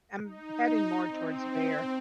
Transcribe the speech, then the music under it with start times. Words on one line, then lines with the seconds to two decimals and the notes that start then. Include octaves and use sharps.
I'm heading more towards bear.
0.23 D#4
1.06 C4